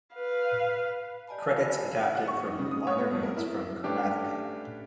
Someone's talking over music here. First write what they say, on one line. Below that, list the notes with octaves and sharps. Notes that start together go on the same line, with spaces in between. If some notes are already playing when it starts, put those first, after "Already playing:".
Credits adapted from liner notes from "Chromatica".
B4 F5
G4 D5 D#5 G#5 A5 B5
F#5
C#6
D#4
C#3
D#6
C#5
B3
F2
A#4
E4
A3 C#4 D4 G4 B4